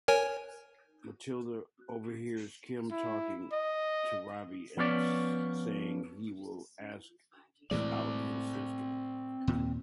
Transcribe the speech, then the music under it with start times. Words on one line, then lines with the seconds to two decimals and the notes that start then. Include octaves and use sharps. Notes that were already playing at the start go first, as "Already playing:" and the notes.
Matilda overhears Kim talking to Robbie and saying he will ask out his sister.
0.08 A#4 C#5 G#5
2.92 E4
3.53 D#5
4.77 F3 B3 C#4 D5
7.71 A2 E3 G#3 C4 D5
9.48 D#2 A#2